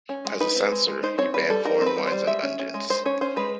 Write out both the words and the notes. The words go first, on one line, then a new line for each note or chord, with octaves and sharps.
As a censor, he banned foreign wines and unguents.
C#4
G#3
D#4 B4
C4
G#3
G#3
D#4 C5
C4 C#5
G3 B4
G3 A4
D#4 A#4
C4
B4
G3
G3 C5
G#3 E5
C#4
C#4
G#3
G#3 C5
C#4 C#5
C#4 C5
G#3 B4